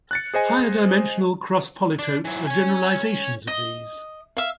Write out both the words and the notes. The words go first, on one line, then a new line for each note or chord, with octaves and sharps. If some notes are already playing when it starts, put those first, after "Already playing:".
Higher-dimensional cross-polytopes are generalizations of these.
F#6 A6 C#7
G#4 C5 D#5 G#5
D4
E3 F#3
C#5 G#5
D#5
E5 F5